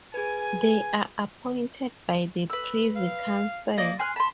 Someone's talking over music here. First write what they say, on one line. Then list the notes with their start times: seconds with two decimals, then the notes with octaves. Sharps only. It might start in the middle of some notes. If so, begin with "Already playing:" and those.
They are appointed by the Privy Council.
0.14 G#4 B4 G#5
2.50 B4 E6
2.96 F5
3.78 A#3 D5 D#5
3.99 G#5 C6 F6 F#6
4.16 A5 B5 C6